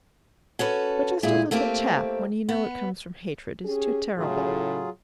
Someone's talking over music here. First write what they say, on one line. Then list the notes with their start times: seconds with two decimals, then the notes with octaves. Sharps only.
But just a little tap, when you know it comes from hatred, is too terrible.
0.59 C#4 F#4 A4 B4
1.23 A#2 G#3 E4 G#4
1.51 A3 A#3 C4 G4
2.49 B3
3.63 C#4 G4 G#4
4.17 A2 C#3 F#3 F4 G#4